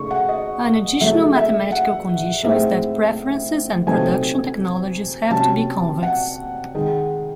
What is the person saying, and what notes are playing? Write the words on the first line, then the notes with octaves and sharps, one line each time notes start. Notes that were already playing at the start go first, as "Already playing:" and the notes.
An additional mathematical condition is that preferences and production technologies have to be convex.
Already playing: C#3 A3 D#4 C#6
F#5
D#5
C#3 F#3 A3 E5
E5
F#5
A2 G#3 C4 D#4 E5
C3 F#3 A3 C4 D#4 G#5
C3 F#3 C#4 A5
F#5
D#3 G#3 D#4